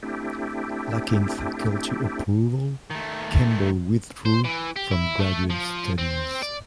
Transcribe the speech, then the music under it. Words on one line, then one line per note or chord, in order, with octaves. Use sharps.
Lacking faculty approval, Campbell withdrew from graduate studies.
A3 C4 D4 E4 G4
D#3 A3
C5
E3
G4
E4
A3
F3
C4
D5